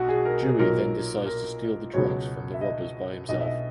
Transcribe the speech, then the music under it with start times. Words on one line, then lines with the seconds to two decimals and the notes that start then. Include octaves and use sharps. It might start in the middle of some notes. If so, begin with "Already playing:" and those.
Dewey then decides to steal the drugs from the robbers by himself.
Already playing: B1 B2 F#4
0.09 G#4
0.25 A#4
0.43 G#4
0.59 B1 A#2 F#3 A#4
1.26 A#4
1.94 C#2 B2 F#3 C#5
2.54 E5
2.61 D#5
3.29 B1 B2 F#3 D#5
3.40 E5
3.46 D#5